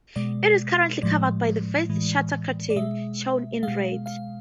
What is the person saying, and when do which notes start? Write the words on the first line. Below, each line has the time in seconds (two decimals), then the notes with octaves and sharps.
It is currently covered by the first shutter curtain, shown in red.
0.16 B2 G#3 D5
1.02 A2 F3 G#3 D5
1.90 A2 E3 G#3
2.70 D5
2.76 B2 G#3 E5
3.63 B2 G#3 F5
4.06 F5